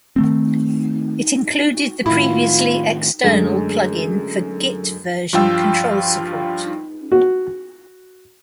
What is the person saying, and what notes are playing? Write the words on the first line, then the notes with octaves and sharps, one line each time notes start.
It included the previously external plugin for Git version control support.
D#3 A3 C4
A2 D#3 E4 F4
F#2 D3 G#3 A3
G2 F3 F4 G5 E6
F#4